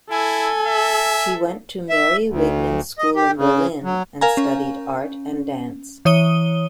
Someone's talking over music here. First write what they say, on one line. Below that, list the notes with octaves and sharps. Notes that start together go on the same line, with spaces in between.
She went to Mary Wigman's school in Berlin and studied art and dance.
E4 A4 G#5
E5
E5
D2
D#5
G4
C#3
F#3
A#4 F5 G#5 A#5
C#4
E3 C#5 D#6 D#7 G7